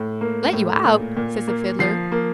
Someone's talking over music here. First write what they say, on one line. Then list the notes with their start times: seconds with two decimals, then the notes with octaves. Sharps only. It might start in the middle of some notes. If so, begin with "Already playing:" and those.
"Let you out?" says the Fiddler.
Already playing: A2
0.21 A#3
0.53 A2
0.85 A#2
1.17 A#2
1.47 A#3
1.79 F3 C7
2.12 A#3